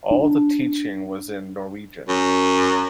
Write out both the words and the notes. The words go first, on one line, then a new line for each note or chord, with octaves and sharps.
All the teaching was in Norwegian.
D4
F#2